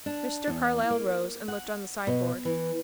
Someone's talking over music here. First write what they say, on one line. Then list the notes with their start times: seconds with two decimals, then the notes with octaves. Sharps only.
Mr. Carlyle rose and looked on the side-board.
0.06 D4
0.47 E2
0.90 A#3
1.48 F#5
2.07 B2
2.45 E3